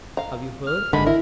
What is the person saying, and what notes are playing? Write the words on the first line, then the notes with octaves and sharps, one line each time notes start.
Have you heard?
F5 A#5
F6
G#1 D3 G#3 A#3 B5
E4 A#4